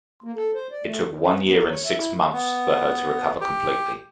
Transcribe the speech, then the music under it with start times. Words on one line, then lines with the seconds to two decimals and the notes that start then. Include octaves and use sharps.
It took one year and six months for her to recover completely.
0.24 A#3
0.36 A4
0.55 C5
0.72 D5
0.84 A3
1.07 D#3
1.22 C#4
1.44 B3
1.56 A#4
1.71 C#5
1.85 E5
1.98 E4
2.33 B3
3.41 G4